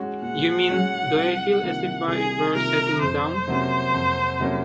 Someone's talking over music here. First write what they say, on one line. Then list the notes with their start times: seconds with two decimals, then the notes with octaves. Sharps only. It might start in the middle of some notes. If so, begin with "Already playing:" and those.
You mean, do I feel as if I were settling down?
Already playing: G#3 C#4 F#4
0.22 A#2 F#5
0.69 G#3 C#4 F#4
1.15 C2
1.62 C3 D#3 A#3 F4
2.08 C2 G#4
2.54 C3 D#3 A#3 F4 A#4
3.01 F2 C5
3.48 C3 F#3 A#3 C#4
3.94 F2
4.40 C3 F#3 A#3 C#4